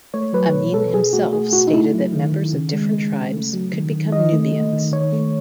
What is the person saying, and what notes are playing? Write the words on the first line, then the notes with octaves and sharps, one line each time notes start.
Amin himself stated that members of different tribes could become Nubians.
A3 C#5
F#3 B4
B2
B2 A4
B2 G#4
A3 F#4
A3 G#4
B2 F#4
D#4
A3 E4
F#3
D#3
D#3
C#3
G#3
G#3
C#3
A3
F#3
D#3
D#3
D#3 D#5
A3
A3
D#3
D#3 C#5
A3